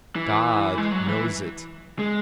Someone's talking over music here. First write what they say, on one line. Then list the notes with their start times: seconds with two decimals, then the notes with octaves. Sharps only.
God knows it.
0.16 E3
0.78 G#3
0.92 F#3
1.08 E3
1.99 G#3